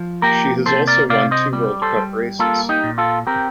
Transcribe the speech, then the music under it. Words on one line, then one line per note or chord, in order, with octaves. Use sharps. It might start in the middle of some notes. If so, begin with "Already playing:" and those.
She has also won two World Cup races.
Already playing: F3
A#3 G4 A#4
C3 A4 C5
A#4 D5
C3 D5 F5
C5 D#5
G3
A4 C5
G3
A#3 F4 A4
D#4 G4
A#2
F4 A4
C4 G4 A#4